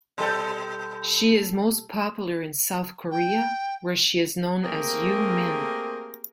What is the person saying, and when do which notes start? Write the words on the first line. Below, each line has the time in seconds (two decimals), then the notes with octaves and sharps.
She is most popular in South Korea, where she is known as Yoo Min.
0.18 B2 G3 A4
3.11 G5
4.63 A3 A#3 C4 G4 G#4 A#4